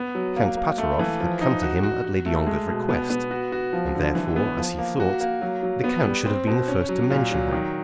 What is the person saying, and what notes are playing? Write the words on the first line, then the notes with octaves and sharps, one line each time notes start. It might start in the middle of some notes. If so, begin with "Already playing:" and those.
Count Pateroff had come to him at Lady Ongar's request, and therefore, as he thought, the count should have been the first to mention her.
Already playing: B3
F#3
A#3
A#3
A3
E3
F3
D#4
F#4
F#4
F#4
A3
G#3
B2
B3
B3
F#4
F#4
F3
D3
E3
B3
F3
A#3
F#4
A#3
F#3
F#3
B3
G3
C4
B2
C#4
F#3
A#2
F#3
D#3